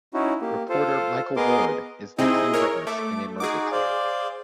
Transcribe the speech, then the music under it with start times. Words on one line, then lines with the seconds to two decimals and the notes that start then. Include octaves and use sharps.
Reporter Michael Ward is the key witness in a murder trial.
0.14 C#4 D#4 E4 F#4
0.42 A#3 G4
0.69 F4 A4 C5
1.36 B3 G#4 A#4 D#5 C6 D6
2.19 C3 C4 D#4 E4 G#4 D#5
2.54 A#4 C#5
2.87 A3 D6
3.40 D#4 F#4 G#4 D6
3.72 C5 D5 F5